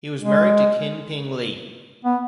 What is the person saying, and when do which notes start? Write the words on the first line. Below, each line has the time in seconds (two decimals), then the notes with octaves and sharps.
He was married to Kin Ping Lee.
0.20 G#3
2.05 B3